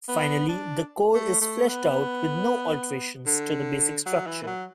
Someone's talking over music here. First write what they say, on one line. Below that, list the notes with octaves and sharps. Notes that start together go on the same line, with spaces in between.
Finally, the core is fleshed out with no alterations to the basic structure.
B3
D4
A3
A3
B3
D3
F#3
E3
E3
F#3